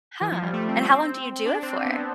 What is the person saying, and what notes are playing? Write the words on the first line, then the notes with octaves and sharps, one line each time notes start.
Huh, and how long do you do it for?
E3
F3
G3
A3
C4
C4
D4
C4
C4
B3
C4